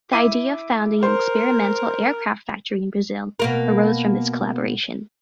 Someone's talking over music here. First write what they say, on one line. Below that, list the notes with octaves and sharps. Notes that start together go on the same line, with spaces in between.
The idea of founding an experimental aircraft factory in Brazil arose from this collaboration.
E4 D6 D#7
A#4 C5
B2 A#3 A#4